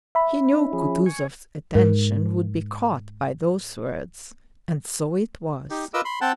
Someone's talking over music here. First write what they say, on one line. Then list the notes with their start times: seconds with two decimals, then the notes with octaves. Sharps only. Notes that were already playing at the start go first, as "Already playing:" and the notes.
He knew Kutuzov's attention would be caught by those words, and so it was.
0.15 E5 B5
0.52 C#4 D#4
0.73 F3 C#4 G#4
1.06 G#5 C#6
1.75 G#2 A#4
5.70 D#4 G4
5.94 F4 A#4 B4 D#5 D6 E6
6.05 B5 C6
6.21 C4 F#5 G5 A5